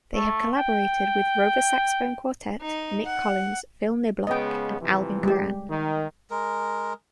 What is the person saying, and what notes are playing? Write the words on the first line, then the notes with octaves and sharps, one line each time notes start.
They have collaborated with Rova Saxophone Quartet, Nick Collins, Phill Niblock, and Alvin Curran.
A3
G5
D#4
F#5
C#3 G#3 B3 D#5 G5
C3 E3 F3
G3 G#3 G4
D#3
G#3 A#4